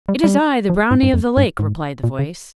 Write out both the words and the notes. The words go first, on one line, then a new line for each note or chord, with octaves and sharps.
'It is I, the brownie of the lake,' replied the voice.
G3
G3
F3
G#2
G2
F2
G2
G#2
A#2
C#3